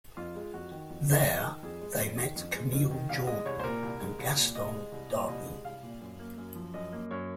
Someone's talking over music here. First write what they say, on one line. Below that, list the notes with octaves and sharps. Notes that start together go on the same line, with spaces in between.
There, they met Camille Jordan and Gaston Darboux.
F2 F4
G#3
F2 F#4
D#3
F2
G#3
F2
D#3
F2 G#4
G#3
F2
D#3
F2
G#3
F2
D#3
C2 F5
G#3 D#5
C2 C#5
C5
A#2 A#4
C2
G#3
C2
A#2
C2 D#5
G#3
C2
A#2
C2 D#5
G#3
C2 F5
A#2
F#2
A#3
F#2
F3
F#2 D#5
A#3
F#2 C#5